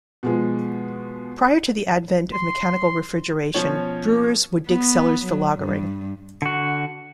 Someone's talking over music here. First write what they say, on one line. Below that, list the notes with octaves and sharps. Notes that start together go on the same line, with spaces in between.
Prior to the advent of mechanical refrigeration, brewers would dig cellars for lagering.
B2 F3 G#3
C6
B2 F3 C#4 C#5
B3
F#3
G2
D3 F#4